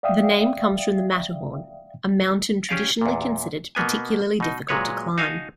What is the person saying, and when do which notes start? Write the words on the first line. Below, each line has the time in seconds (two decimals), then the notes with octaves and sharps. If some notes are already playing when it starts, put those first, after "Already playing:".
The name comes from the Matterhorn, a mountain traditionally considered particularly difficult to climb.
0.03 D5 E5 F5 G5 D#6
2.69 C#4 G4 G#4 D5 F5
3.01 E2 A#2
3.75 B2 A#3 B3 G#5
4.40 B2 D#4
4.69 A#2 F#3 G#3 B4 C#5
5.18 D#4 F#4 F5 G#5 A5